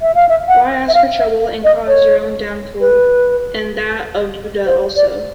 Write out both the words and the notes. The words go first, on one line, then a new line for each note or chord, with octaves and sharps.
Why ask for trouble and cause your own downfall and that of Judah also?
E5
F5
E5
F#5
E5
F5
E5
D#5
C#5
B4
C5
D5